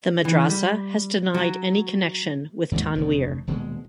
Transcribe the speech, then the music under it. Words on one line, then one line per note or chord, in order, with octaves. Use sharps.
The madrasa has denied any connection with Tanweer.
E3
G3
F#3
D#2 G#2 B2 F#3
F1 D2
D#1 B2 G#3